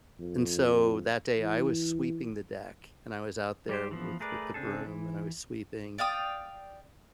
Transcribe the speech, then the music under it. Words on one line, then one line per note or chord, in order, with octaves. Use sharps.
And so that day, I was sweeping the deck, and I was out there with with the broom, and I was sweeping.
F2
E3
G3 G4 C5
E3 F3 B3
A3 G#4 A#4 B4 D5
C#3 C4 D4 G#4 A4
E3
D5 F5 G5 D#6